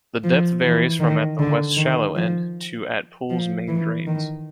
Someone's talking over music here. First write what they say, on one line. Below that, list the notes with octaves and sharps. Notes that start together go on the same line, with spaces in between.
The depth varies from at the west 'shallow' end, to at pools' main drains.
F3
E3
D#3
D3
D#3
F3
F3
E3
D#3